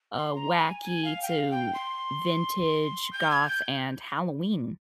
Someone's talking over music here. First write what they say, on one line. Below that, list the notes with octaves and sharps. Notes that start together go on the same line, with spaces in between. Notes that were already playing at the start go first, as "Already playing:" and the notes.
uh, wacky to vintage, goth, and Halloween.
C6
A#5
G#5
G#5
F5
G5
F5
G5
C6
G6
G#6
G6